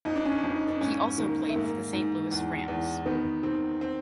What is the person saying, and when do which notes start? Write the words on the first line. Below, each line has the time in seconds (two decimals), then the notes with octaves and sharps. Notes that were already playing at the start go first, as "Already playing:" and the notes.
He also played for the Saint Louis Rams.
0.05 F2 D#4
0.16 D4
0.25 C#4
0.35 D4
0.43 F2
0.55 D#4
0.68 D4
0.80 G#2 C#4
1.18 D#3 A#3
1.50 A3
1.55 G#2 A#3
1.93 G#2
2.31 E2
2.68 E2
3.06 D#3 B3
3.43 D#3 C4
3.81 C4